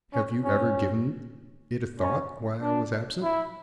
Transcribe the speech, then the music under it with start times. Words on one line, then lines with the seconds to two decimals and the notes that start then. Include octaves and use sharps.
"Have you ever given it a thought, why I was absent?"
0.13 C#4
0.44 C#4
1.99 C#4
2.61 D4
3.23 E4